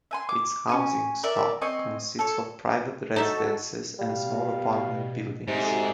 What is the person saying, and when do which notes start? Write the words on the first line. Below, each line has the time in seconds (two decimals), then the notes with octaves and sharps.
Its housing stock consists of private residences and small apartment buildings.
0.11 E5 G#5 C6
0.29 D6
0.69 C#4 G#5
1.23 A#4 D5 E5
1.61 C4 D#5 G#5 C#6
2.19 A4 C#5
3.16 D#4 F#4 A4 E5
3.99 B2 G3 F5
5.48 G#2 C3 D#4 F#4 A4 D5